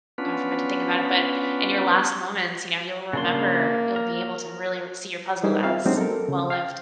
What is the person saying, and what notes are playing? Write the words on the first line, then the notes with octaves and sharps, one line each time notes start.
god forbid to think about it, but in your last moments, you know, you'll remember, you'll be able to really r see your puzzle as well-lived.
B3 C#4 D4 F4 B4
C#3 A#3 D4 C6
A#4
G3 D#4 G4 G#4 A#4 C5
C4 F4 E5 F5
F#3 G#3 B3 C4 D4 D#4
A4 A#4
C#3
F5 G5